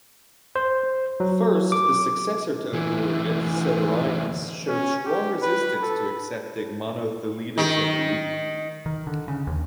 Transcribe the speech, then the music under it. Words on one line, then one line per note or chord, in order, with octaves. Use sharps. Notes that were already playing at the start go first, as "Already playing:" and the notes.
First, the successor to Honorius, Severinus, showed strong resistance to accepting Monothelitism belief.
C5
F#3
D6
D2 E3
C#4
G4
B4
A4
D#3
D#3
D3
C#3
D#2